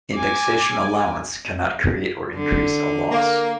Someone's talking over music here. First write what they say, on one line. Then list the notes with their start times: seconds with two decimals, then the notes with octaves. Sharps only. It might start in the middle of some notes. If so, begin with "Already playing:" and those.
Indexation allowance cannot create or increase a loss.
0.14 G#5 D6
2.36 D3
3.12 A#3